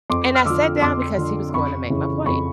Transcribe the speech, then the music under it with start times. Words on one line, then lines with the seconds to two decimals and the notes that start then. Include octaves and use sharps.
and I sat down because he was going to make my plate,
0.10 F2 C6 D6
0.35 F6
0.45 D3 F3 D6 E6
0.81 F2 C6 D6
1.18 D3 F3
1.54 F2 B5 C#6
1.90 C#3 E3
2.26 F2 B5 C#6